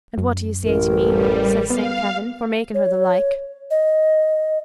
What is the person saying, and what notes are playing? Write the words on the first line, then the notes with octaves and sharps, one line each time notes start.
"And what do you say to me," says Saint Kavin, "for making her the like?"
F#2
A1 A#4
G3
B3 F5
C#5
D#5